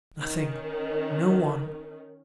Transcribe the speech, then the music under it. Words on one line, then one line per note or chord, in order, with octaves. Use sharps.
Nothing--no one!
D#3 C#4